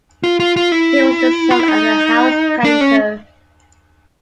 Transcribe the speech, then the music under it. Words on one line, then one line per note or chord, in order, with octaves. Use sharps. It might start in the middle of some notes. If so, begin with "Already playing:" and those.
He was the son of a house painter.
F4
F4
F4
E4
F4
E4
D#4
D4
C#4